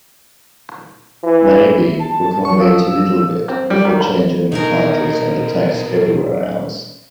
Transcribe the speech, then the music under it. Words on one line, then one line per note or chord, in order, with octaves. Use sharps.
Maybe we can wait a little bit before changing the titles and the text everywhere else?
E3
A5
C#6
F3 E6
E6
C4
G3
D#3
B5
B2 D#4 G#4 A#4